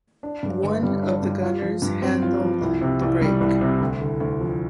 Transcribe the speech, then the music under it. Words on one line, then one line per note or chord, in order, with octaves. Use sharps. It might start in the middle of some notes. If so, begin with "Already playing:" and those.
One of the gunners handled the brake.
D4
G2
G1
G3
D4
G2
F4
F3
G2
C4
F4
F3
C2
C3
C2
G3
C2
C3
D2
D3
D2
F3